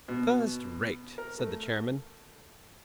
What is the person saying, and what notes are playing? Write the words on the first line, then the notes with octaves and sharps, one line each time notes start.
'First-rate!' said the Chairman.
B2
A#4
A3